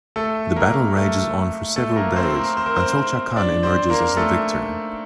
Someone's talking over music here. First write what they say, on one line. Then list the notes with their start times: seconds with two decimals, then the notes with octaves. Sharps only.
The battle rages on for several days until Chakan emerges as the victor.
0.16 A3 A4
0.56 A#3 A#4
0.96 A3 A4
1.76 A3 A4
1.96 A#3 A#4
2.16 C4 C5
2.36 A#3 A#4
2.57 C5
2.66 A#4
2.76 C4 C5
3.36 D4 D5
3.63 C4 C5
3.90 A#3 A#4
4.17 A3 A4